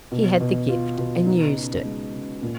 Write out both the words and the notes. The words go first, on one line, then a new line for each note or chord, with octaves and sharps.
He had the gift and used it.
B2
B2
F4
B2
D#4
C#3
G#3
C#3
A#2